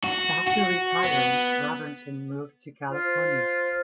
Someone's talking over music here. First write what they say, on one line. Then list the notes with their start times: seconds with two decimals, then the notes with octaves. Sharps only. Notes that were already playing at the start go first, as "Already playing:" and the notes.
After retiring, Robertson moved to California.
0.04 F#4
0.47 F#4
1.04 B3
2.91 F4 C5